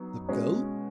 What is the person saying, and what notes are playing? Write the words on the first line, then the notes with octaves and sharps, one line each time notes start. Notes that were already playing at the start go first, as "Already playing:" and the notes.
"The goat?"
Already playing: F#3 B3 D#4
B2 G#3 C#4